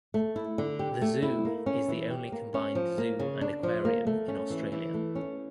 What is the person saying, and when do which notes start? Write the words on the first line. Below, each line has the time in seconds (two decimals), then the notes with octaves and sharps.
The Zoo is the only combined zoo and aquarium in Australia.
0.14 A3
0.36 E4
0.58 D3
0.79 G4
1.01 A3
1.22 E4
1.45 A#3
1.66 C#4
1.88 E3
2.10 G4
2.32 A#3
2.54 C#4
2.75 F3
2.98 A#3
3.20 C#3
3.41 D4
3.63 F3
3.85 A#3
4.07 A3
4.28 C#4
4.50 E3
4.72 E3
4.94 A3
5.15 C#4